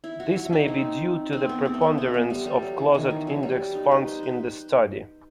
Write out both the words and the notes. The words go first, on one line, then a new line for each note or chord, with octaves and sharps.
This may be due to the preponderance of closet-index funds in the study.
E4
F#4
E4
D#4
C4
C4
B3
C4
A3
B3
B3
A3
G3
G3
F#3
E3
D#3
E3
F#3
G3
D#4
B4
C5
B4